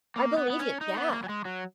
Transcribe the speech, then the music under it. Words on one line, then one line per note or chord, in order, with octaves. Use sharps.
I believe it, yeah.
A#3
B3
B3
C#4
D#4
B3
A#3
F#3
G#3
F#3